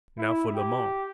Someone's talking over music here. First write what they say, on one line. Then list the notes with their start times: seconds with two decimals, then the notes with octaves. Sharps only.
"Now for La Mon."
0.19 E4
0.55 G4